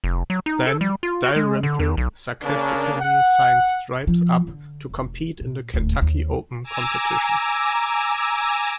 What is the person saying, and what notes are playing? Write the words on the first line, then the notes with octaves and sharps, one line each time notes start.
Then, Dalrymple sarcastically signs Stripes up to compete in the Kentucky Open competition.
F1
F#3
D#4
A4
G3
F4
F#4
G#3
D3
E2
B1
C#3 A#3 D4
F#5
F3
D3
F1
A#2
D#1 D2
D#2
G#5 A#5 D6 E6